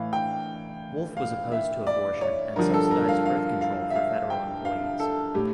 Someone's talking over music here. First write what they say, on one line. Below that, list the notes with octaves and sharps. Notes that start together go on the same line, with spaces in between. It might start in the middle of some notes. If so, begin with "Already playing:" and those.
Wolf was opposed to abortion and subsidized birth control for federal employees.
Already playing: A2 E3 F5
G5
F5
E5
D5
C#5
G2 D3 F3 A#4
A4
A#4
F5
F5
F5
E5
F5
G5
F5
A4
A2 G4